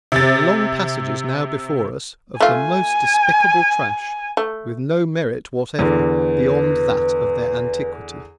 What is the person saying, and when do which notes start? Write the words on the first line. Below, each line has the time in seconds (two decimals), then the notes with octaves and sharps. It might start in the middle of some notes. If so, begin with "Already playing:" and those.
There are long passages now before us of the most despicable trash, with no merit whatever beyond that of their antiquity..
0.12 C3 A6
2.40 A3 F4 G#5
4.37 A3
5.79 E2 D3 B4